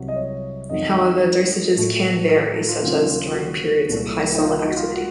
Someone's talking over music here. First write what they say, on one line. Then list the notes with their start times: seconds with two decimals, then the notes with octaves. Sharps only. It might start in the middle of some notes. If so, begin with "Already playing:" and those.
However, dosages can vary, such as during periods of high solar activity.
Already playing: C2 C3 F#3
0.08 D#5
0.16 C#5
0.69 F2 D#3 F#3 A3 D#5
1.76 A2 A3
2.29 A#4
2.43 A4
2.55 A4
2.69 F4
2.82 D#2 C#3 F#3 F4
3.09 F4
3.34 F#4
3.89 C2 A#2 A3
4.35 D#4
4.41 F4
4.59 D#4
4.69 F#4
4.76 F4
4.94 F#4